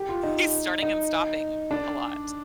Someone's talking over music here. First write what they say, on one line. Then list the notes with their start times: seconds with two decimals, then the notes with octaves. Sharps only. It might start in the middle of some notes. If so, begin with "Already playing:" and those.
he's starting and stopping a lot.
Already playing: G4
0.09 F4
0.23 D#4
0.82 D#4
1.71 D4